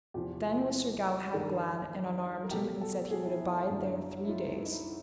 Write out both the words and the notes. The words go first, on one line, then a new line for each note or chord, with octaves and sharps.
Then was Sir Galahad glad, and unarmed him, and said he would abide there three days.
E2 C3 F3 F4 G4
G2 D#3 G3 G#4 A#4
A#4
B2 F#3 G4 A4
G4 A4
F#4 G#4
E4
E4
E4
F#2 D3 F#3
E4
D#4 F4
E4
D#4
E4